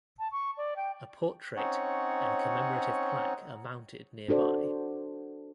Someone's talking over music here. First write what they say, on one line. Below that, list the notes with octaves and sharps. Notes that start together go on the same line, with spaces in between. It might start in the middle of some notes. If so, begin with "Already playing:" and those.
A portrait and commemorative plaque are mounted nearby.
A5
C#6
D5
G5
C4 C#4 D#4 C#5 F#5
D4 F#4 A4 C5 D5